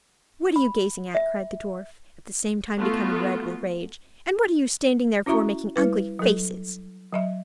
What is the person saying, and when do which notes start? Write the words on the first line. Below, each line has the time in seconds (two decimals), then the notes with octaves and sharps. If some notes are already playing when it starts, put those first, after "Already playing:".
"What are you gazing at?" cried the dwarf, at the same time becoming red with rage; "and what are you standing there for, making ugly faces?"
0.56 B5
1.15 E5
2.76 A3 B3 F4 F#4
5.26 C#4 E4 F#4 E5 A#5 C#6
5.76 G3 E4 B4
6.19 F#3 A4
7.12 F#3 D#5 E5